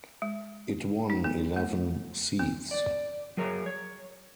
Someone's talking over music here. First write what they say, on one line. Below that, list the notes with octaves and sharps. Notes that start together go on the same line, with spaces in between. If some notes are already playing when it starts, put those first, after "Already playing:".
It won eleven seats.
G#3
D#4
B3
A3
B3
D5
F#3 G#4 A#4 C#5
C#5